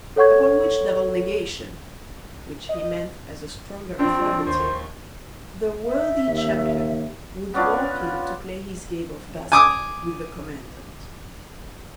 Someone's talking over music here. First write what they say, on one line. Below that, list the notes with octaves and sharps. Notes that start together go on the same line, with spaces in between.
Upon which double negation, which he meant as a stronger affirmative, the worthy champion would walk in to play his game of bezique with the commandant.
A4 C#5 F#5 C#6 G#6
D#5
A#1 C4 D4
D#2 C5
E5
D#2
B3 C#4 D4 F4
G#5 D6 D#6